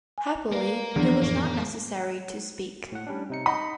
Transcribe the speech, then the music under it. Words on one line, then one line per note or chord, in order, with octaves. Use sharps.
Happily it was not necessary to speak.
G#5
A#3 A#4 B4 D5 F5
E2 D#3 F3 F#3 D4
F2 A2 A#3 C#6
A2 F#5
G3 C#4 D4
C3 D#4 C#7
D#4 D#5 B5 C#7